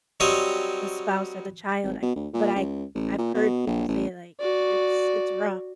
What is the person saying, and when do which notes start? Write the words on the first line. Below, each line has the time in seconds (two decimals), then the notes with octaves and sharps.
the spouse or the child- I but I I've heard people say, like, it's it's rough.
0.20 F#3 G3 C4 C#5 D#5
1.84 G#1
2.02 B2
2.16 D2
2.34 A#2
2.56 C#2
2.95 A1
3.18 A#2
3.34 B2
3.67 A#1
3.89 A1
4.40 F#4 D5